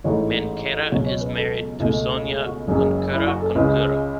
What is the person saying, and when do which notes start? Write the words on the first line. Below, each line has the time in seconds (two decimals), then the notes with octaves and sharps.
Mancera is married to Sonia Corcuera Corcuera.
0.04 A1 G#2 E3 A3 C#5
0.92 C#2 B2 F#3 C#5
1.06 C#5
1.21 B4
1.36 A4
1.80 C#2 B2 A3
2.24 G#4
2.46 F#4
2.68 F#1 F#2 C#3 G#3 G#4
3.11 E4
3.26 F#4
3.40 A4
3.55 C#2 C#3 G#3 B4